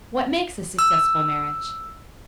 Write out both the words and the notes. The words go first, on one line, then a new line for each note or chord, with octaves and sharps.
What makes a successful marriage?
E6